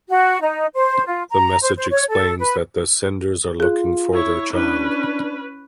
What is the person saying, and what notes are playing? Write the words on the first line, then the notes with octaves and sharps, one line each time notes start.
The message explains that the senders are looking for their child.
F#4
D#4
C5
F4
A#5
C5
C5
C#5
A4
B4
F4 G#4 F#6
E4 C#5
C#4 D4 E4 B4